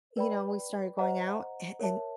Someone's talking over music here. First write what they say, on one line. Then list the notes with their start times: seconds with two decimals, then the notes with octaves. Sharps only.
you know, we started going out a and
0.17 B4 D5 G5 B5
0.99 C5 D#5 F#5 A#5
1.79 A#4 C#5 E5 A5